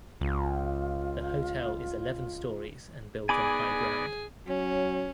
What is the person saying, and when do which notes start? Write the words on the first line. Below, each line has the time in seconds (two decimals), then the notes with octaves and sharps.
The hotel is eleven stories and built on high ground.
0.21 C#2 F4
3.29 B3 D#4 G#4 D5 G#5 B5 D6
4.47 F#3 C#4